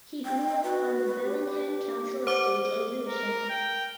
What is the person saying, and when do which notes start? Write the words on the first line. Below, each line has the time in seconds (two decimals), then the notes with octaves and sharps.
He grew up on the Bellingham council estate in Lewisham.
0.25 G5
0.64 F#4 B4
1.22 G4
2.27 C5 F#5 D6
2.65 G#4
3.08 A#4
3.49 G5